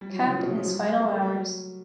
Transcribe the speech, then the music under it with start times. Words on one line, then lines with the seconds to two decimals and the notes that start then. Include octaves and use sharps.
Cap in his final hours.
0.01 G3
0.10 F#3
0.18 E3
0.27 C#3
0.34 A#2
0.43 B2
0.51 F3
0.59 F#3
0.68 G3
0.75 G#3
0.84 G3
0.92 A3
1.00 A#3
1.11 A3
1.22 G3
1.33 F#3